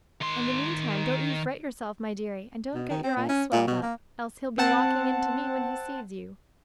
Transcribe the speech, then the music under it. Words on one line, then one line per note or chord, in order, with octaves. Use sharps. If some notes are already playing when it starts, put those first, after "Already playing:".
In the meantime, don't you fret yourself, my dearie, and don't get your eyes swelled up, else he'll be walking into me when he sees you.
D#3 C6
B2
D#3
C4
A#2
C#4
A#2
B2
A#3
C4 F#5 A5